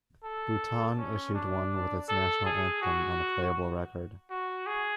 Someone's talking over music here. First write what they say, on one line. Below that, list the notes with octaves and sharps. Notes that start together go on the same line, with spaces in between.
Bhutan issued one with its national anthem on a playable record.
A4
C#4
D4
A4
G#4
F#4
F#4
G#4